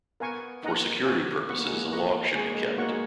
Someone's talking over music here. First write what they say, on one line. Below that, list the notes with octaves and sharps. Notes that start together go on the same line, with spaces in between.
For security purposes, a log should be kept.
B3 A#4 F5 G#5 C#6
A#3 D#4 A#4 D#5 F#5 A#5
F#4 C#5 F5 G#5
B3 B4 F#5 C#6
A#3
G#3
A#3
B4 F#5 A#5 C#6
G#3 G#4 C#5 G#5
A#3
G#3
B3
A#3 D#4 F#4 C#5 F#5 C#6
G#3